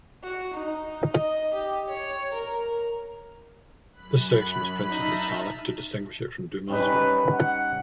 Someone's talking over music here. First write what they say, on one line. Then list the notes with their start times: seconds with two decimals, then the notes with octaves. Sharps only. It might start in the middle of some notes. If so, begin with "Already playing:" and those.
This section was printed in italic to distinguish it from Dumas' work.
0.23 F#4
0.54 D#4
1.13 D#5
1.54 G4
1.88 C#5
2.32 A#4
3.92 F#2 B5 F#6
4.88 D#4 E5 A5 B5 F6
6.70 G3 C#4 D#4 B4
7.31 F#5